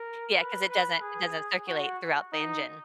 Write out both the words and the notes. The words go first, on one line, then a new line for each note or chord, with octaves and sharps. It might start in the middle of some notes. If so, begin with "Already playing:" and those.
Yeah, 'cause it doesn't it doesn't circulate throughout the engine.
Already playing: A#4
B4
B4
G#4
F#4
D#4